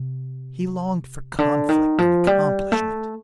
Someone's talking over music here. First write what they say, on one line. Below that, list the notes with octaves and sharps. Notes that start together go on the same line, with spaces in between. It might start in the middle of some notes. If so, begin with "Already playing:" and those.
He longed for conflict and accomplishment.
Already playing: C3
D3
D#3
F3
G3
A3